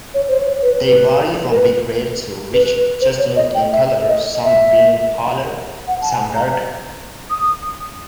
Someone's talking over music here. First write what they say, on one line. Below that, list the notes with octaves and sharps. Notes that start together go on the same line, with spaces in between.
They vary from brick-red to rich chestnut in colour, some being paler, some darker.
C#5
C5
C#5
B4
B4
A#4
B4
B4
B4
C5
C#5
D#5
G5
E5
D#5
E5
F#5
A5
G#5
A#5
D#6